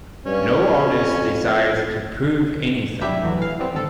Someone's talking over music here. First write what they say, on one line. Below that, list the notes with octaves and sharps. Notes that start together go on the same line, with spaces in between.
No artist desires to prove anything.
G2 C#4
F2
F#3 G3 D4 E4 G4 E5
E2 A2 E3 F#3
E3 F5
G3 B3 C4
G#1 D3 A4